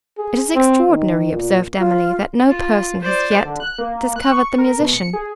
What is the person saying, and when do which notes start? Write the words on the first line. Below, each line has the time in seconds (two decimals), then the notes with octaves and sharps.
'It is extraordinary,' observed Emily, 'that no person has yet discovered the musician.'
0.18 G#4
0.55 C4
0.89 D#3
1.32 A#2
1.79 F4
2.48 F4
3.01 C5 D5
3.45 D3
3.60 F#6
3.78 A#3
4.16 F#6
4.31 C#6
4.58 A#4
4.80 B2
4.93 C#7
5.13 G#4